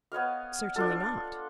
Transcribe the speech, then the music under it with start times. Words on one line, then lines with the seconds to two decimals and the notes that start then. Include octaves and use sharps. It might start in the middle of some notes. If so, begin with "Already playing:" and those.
"Certainly not."
0.12 B3 C#5 D#5 F5
0.76 D4 F4 A4